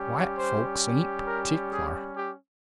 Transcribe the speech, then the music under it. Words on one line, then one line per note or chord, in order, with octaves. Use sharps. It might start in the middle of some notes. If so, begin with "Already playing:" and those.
White folks ain't partic'lar.
Already playing: G3 C#4 G4
C5
A#4
G#4
G4